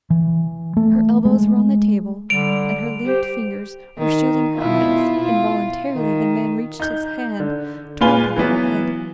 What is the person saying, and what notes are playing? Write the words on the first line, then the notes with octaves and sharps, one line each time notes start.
Her elbows were on the table, and her linked fingers were shielding her eyes. Involuntarily the man reached his hand toward the bowed head.
E3
A3
G#3
D3 G3 D7 F7
G4 C5
D#3
B2 E4 F4
F4
D#3
D#4 G6
D3
A#2 G#3 F4 B4 G#5 G7
E3 F#3 B3